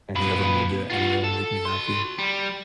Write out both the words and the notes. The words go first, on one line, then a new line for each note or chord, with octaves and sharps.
Any of them will do it, any of them make me happy.
A#2 B4
F4 F#4
A4
F#4 C6
G3